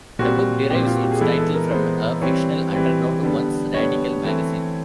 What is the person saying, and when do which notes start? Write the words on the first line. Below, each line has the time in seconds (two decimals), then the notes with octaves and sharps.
The book derives its title from a fictional "underground" once-radical magazine.
0.19 A#2 G3 C4 F#4
0.70 A#2 G3 C4 G4
0.86 F4
0.95 F#4
1.03 G4
1.11 G#4
1.20 E3 G#3 B3 A4
1.37 A4
1.54 A#4
1.71 E3 G#3 B3 C5
2.21 E3 G3 C4 C#5
2.73 E3 G3 C4
3.23 D3 G3 B3
3.74 D3 G3 B3 C#5
4.25 E3 A3 C4